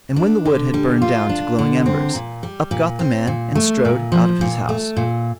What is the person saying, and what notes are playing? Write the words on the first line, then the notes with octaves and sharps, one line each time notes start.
And when the wood had burned down to glowing embers, up got the man and strode out of his house.
D4
D3
G3
F4
D4
D3
C4
A#2
G3
A#2
C4
A#2
A3
A#2
F3
A#2
A3
A#2